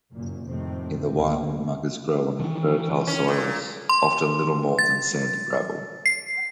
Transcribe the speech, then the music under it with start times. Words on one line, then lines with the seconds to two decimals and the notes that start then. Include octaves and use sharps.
In the wild muggas grow on infertile soils, often little more than sandy gravel.
0.12 F#1 F#2 A#2
0.48 F2 A2 C3 D#3 A3 C4
1.13 D2 A#3
2.39 D#3 E3
3.07 C#4
3.28 A#2
3.89 C6
4.79 A6
6.06 C7